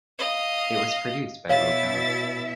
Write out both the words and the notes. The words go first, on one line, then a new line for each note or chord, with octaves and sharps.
It was produced by Lil Jon.
D#5 F5
B2 E4 C#5 E5 F5 A6